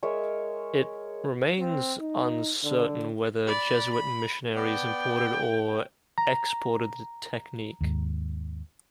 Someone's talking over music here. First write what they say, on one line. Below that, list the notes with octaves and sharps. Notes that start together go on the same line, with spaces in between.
It remains uncertain whether Jesuit missionaries imported or exported the technique.
G#3 A#4 C#5 E5
C4
D#4
D3
D5 B5
B5
B3 D5 G5
A#5
D#2 G#2